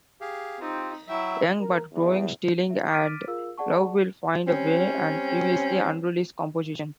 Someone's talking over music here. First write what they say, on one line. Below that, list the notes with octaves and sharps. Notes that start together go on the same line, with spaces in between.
"Young But Growing", "Stealing" and "Love Will Find a Way" are previously unreleased compositions.
G4 G#4 F5
C4 D#4 F4 G4
F#3 E4 E5 G5
A#4
E2
E5
D6 F6 A6 B6 D7 D#7
F4 G#4 A#4 F5 E6
G#4 D5 F#5 A5 C#6
G3 C4 C#4